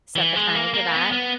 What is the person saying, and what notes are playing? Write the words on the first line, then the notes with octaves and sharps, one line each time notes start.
set the time for that,
E3
G#3
A#3
A#3
B3
B3